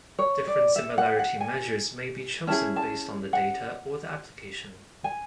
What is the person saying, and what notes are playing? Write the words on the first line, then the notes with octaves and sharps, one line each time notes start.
Different similarity measures may be chosen based on the data or the application.
C#5
D5
E5
F#5
F#5
G#5
C#4 E4 G#4 A5
A5
F#5
G#5